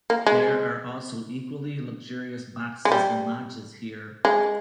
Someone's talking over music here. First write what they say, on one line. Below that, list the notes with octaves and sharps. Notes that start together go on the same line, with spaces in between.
There are also equally luxurious boxes and lodges here.
A#3
G#3
G#3
G3
G#3